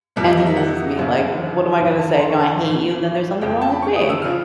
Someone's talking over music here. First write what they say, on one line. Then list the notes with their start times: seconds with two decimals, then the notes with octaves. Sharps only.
and he misses me, like, what am I gonna say? "No, I hate you," then there's something wrong with me.
0.16 F2 C3 E3 G3 A#3 E5
0.26 D#5
0.37 D#5
0.46 E5
0.57 F#5
0.97 G1 F#2 C#3
1.79 F#1 E2 C#3
1.89 G#5
1.99 A5
2.09 A#5
2.19 C6
2.30 C#6
2.40 C6
2.59 A1 A2 E3 F5
3.41 F1 F2 C#3 G5
3.61 A5
3.72 B5
3.82 C#6
3.96 D#6
4.09 E6
4.22 C#3 F3 F6